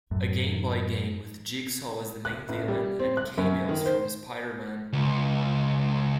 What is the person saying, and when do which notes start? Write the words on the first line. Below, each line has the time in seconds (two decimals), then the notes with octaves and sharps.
A Game Boy game with Jigsaw as the main villain and cameos from Spider-man.
0.11 F#2 A2
2.25 F#6
2.49 A1
2.68 G3
3.00 C4
3.17 F#6
3.38 F#2
3.69 D#3
3.86 C5
4.93 C#2